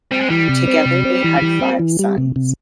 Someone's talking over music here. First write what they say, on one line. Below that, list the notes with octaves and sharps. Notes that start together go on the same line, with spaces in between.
Together they had five sons.
G3 C4
G#3
E3 G3
C3
C4
C3
C4
E3
E3
C4
E3
G3
C3
C3